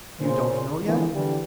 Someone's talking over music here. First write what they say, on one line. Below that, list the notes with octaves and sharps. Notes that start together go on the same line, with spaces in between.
"You don't know yet?"
A#2 C#3 C5
D3 E3 F3 G#3 A#3 B3
D3 E3 G3